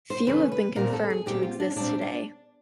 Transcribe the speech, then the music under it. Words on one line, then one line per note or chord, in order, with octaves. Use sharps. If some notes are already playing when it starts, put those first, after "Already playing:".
Few have been confirmed to exist today.
C5
C#3 E3 A3 C#4 B4
B4
A#2 G3 C4 A#4
A4
G#4
A#2 G3 C4 G4
F4
D4
C#4
A#2 G3 C4 D4
D4